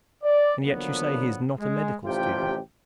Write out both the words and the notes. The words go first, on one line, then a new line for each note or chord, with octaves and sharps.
"And yet you say he is not a medical student?"
D5
D3 F3 F#3 A#3 B3
G#3
A1 C3 F3 F4 G4 G5